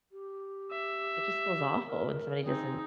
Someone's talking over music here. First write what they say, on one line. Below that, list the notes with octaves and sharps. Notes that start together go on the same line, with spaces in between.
it just feels awful when somebody doesn't
G4
E5
A#4
C4 D#4 G#4